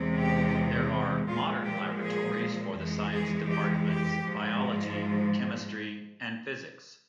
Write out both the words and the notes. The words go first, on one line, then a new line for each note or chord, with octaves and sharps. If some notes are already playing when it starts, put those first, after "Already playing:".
There are modern laboratories for the science departments: Biology, Chemistry and Physics.
Already playing: E2 C3 E3 G#3
G4
A#2 F3 G#3 F4
G4
G#4
F2 E3 G#3
G#4
G4
G4
G#2 F3 G#3